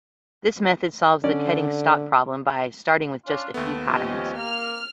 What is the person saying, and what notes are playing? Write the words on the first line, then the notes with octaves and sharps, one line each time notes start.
This method solves the cutting-stock problem by starting with just a few patterns.
D3 C#4 D5
C#4 D4 F4
D#2 A3 B3
F3 A3 C#4 G4 D#5
A#3 F6